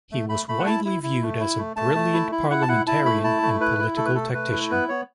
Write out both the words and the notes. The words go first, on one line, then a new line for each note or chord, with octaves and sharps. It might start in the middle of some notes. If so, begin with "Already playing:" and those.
He was widely viewed as a brilliant parliamentarian and political tactician.
A3
A3 B5
A3 B5
F#5
E4 A5
E4
E4
A3
E4
A3
A3 A5
A3
E4
E4
E4 F#5
A5
E4 F#5
E4 A5
A3 B5
E4 A5
A3
E4 B4
E4
A3 A4
B4
A3 A4
A3 B4
E4
B3 B4
B3 C#5